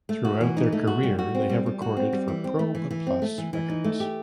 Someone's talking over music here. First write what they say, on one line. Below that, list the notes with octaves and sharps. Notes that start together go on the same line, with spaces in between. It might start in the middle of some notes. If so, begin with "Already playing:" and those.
Throughout their career, they have recorded for Probe Plus records.
A3
F#4
E3
D#4
A3
F#4
G3
F#4
C4
G3
G3
F#4
C4
G3
E3
C4
A3
E3
E3
C4
A3
E3
E3
D#4
A3
G4